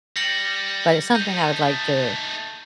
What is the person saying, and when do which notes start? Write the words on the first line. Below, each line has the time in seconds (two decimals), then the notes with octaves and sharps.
but it's something I would like to
0.16 G3 A#6 C#7 F#7
1.15 A3 D#4 G6